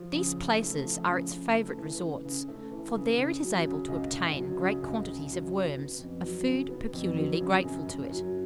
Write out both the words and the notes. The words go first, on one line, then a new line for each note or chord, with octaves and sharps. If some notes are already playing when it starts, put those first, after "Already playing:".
These places are its favourite resorts; for there it is able to obtain great quantities of worms, a food peculiarly grateful to it.
Already playing: F3
C#3
C#3
A3
F3
C#3
C#3
A3
E3
C#3
C#3
A3
E3
C#3
C#3
F#3
C#3
C#2
C#2
F#3
C#3
C#2
C#2
F#3
C#3
B3
F2
F#3
C#3
B3
F2
F#3
C#3
F#2
F#2
F#3